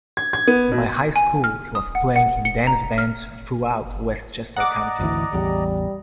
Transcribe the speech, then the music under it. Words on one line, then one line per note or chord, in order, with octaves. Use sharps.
By high school, he was playing in dance bands throughout Westchester County.
G#6
G#6
B3
B2
G#5
F6
D#6
F#5
F#5
C#7
A#5
F6
D5 D#5 F#5 A#5 D6
G#1 D2 E3
A1 E2 G3